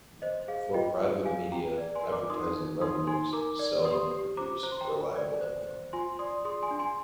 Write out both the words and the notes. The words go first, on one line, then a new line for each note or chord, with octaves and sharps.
For private media, advertising revenues seldom produce a reliable income.
C5 D#5
G#4 F5
F4 D#5 G5
F4
G#4 F5 G#5
G#4 G5 A#5
D5
G#5 C6
A#4
A#5 D6
D#4 C6 D#6
D#4
D#4 C6 D#6
D#4 G#5 C6
A#4 A#5 D6
D5
G4 C6 D#6
G4
C5 A#5 D6
C5 A#5
C6
G5 A#5
A#4
D5
C5
C5
F4 G#5 C6
D5 C6 D#6
G#4 C6 D#6
G#5 C6
D4
G#5 C6